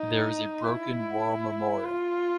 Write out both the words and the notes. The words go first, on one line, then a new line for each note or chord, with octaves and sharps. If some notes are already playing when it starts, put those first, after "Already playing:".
There is a "broken" war memorial.
Already playing: D#4
E4
F4